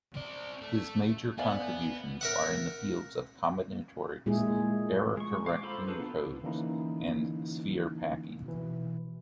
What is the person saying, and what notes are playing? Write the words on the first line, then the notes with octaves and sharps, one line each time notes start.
His major contributions are in the fields of combinatorics, error-correcting codes, and sphere packing.
C4 D5
A3
B3 D5 F5 G#5
A#4 E5 F#5
A#2 G#3 E4 G#4
G#3 C#6
F5 D6
F4 A4 C5 A#5 B5
D4 D#4 G#4 A4 B4
B3 D4 F4
D3 E3 A#3 C#4 D#4 E4
B2 E3